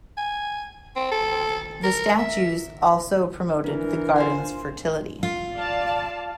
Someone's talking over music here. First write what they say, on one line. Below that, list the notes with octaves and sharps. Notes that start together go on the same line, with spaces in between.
The statues also promoted the gardens' fertility.
G#5
C4
A4
A#4
E5
E3 D4 A#4
F4 C5 G#5
F4
D5 F5 A5